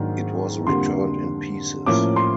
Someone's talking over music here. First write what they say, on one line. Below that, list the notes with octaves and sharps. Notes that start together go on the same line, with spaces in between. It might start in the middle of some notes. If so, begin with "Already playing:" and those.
It was returned in pieces.
Already playing: G#2 D#3 F#3 A#3 D4
F2 D3 G3 A#3 C6
A2 F3 A#3 C#4 D6
C6